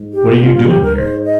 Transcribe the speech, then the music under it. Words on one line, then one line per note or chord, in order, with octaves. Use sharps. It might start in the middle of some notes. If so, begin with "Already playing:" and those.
What are you doing here?'
Already playing: G#2
G4
G2 F4
F4
G4
A#4
G#2 C5
D#5